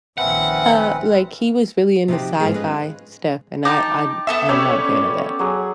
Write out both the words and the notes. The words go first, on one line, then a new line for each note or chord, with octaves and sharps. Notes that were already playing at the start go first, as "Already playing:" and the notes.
uh, like, he was really into sci-fi stuff and I I'm I'm not a fan of that
A#1 D#3 C4 C#4 B4 E5 F#5
C3 F3 D#4 E4 F#4 G4
G#2 E3 F3 A3 F4 G#4
C#4 D#4 F4 G4 B4 D#5
D#4 G5 A5 D6
B3 A4 E5 E6
C#4 D5 G5 B5
F#3 G#4